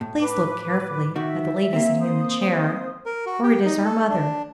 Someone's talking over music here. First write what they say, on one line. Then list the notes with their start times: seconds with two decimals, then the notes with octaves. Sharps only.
Please look carefully at the lady sitting in the chair, for it is our mother.
0.01 A2
0.19 B4 D6
1.16 D#3 F#4 E5
1.73 A#3 C4
2.00 C5 D#6
3.06 A#4
3.26 F#4
3.43 G4
3.65 D#4
3.85 A4
4.09 D4